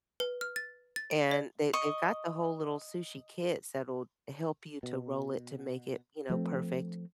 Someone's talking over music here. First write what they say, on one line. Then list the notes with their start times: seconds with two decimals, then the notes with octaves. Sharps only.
And they they've got the whole little sushi kits that'll help you to roll it to make it, you know, perfect
0.20 B4
0.41 F6
0.56 A6
0.96 A6
1.11 D7
1.31 D5
1.73 D#5 C#6
4.83 B2
6.30 F3 A3 C4